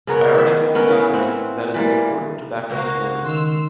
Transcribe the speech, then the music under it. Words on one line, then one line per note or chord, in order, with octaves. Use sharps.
I already told you last week, that it is important to back up your words.
C#3 B3 A#4 C#5
D#3 E5
B3 C#4 A#4
E3
A2 C4 F#5
E3 G3 A#3
C#2 A#3 F#4 C5 F5
D#3 C6 E6 F6